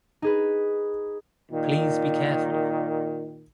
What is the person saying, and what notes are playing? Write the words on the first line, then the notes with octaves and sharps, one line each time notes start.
Please be careful!
D#4 G#4 B4
A#2 D#3